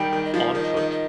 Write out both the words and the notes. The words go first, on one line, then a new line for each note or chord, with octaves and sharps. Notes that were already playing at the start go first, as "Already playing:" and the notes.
On foot.
Already playing: D#3 G3 G5
D#3
D#5
F3 F5
D#3 D5
D#5
D#3
D#5